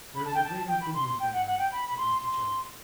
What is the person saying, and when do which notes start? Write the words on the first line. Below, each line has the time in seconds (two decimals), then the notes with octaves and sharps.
'There is a great improvement here, ma'am?' says Mr. Chillip.
0.15 B5
0.25 A5
0.34 G5
0.44 A5
0.68 G5
0.81 B5
0.94 C6
1.06 C6
1.19 G5
1.32 F#5
1.46 F#5
1.58 G5
1.72 B5
1.89 B5
1.97 C6
2.23 C6